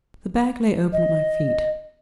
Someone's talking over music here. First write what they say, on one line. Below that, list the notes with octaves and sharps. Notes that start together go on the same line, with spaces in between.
The bag lay open at my feet.
D#5